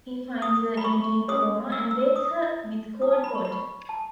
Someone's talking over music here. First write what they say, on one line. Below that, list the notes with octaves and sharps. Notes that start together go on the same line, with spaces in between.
He finds her in a deep coma and wakes her with cold water.
D#6
B5
C#6
C#4 G#4 C#5 D#6
E6
E6
D#6
E4 G#4 C#5 D#6
A5
B5
C#6
B5
A5